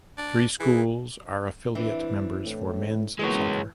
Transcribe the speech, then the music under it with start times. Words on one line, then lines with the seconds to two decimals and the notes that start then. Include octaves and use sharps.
Three schools are affiliate members for men's soccer.
0.18 D4
0.60 E3 G#4
1.75 E3 C4 D4
2.45 A2
3.19 E3 F#3 G#3 A#3 B3 C#5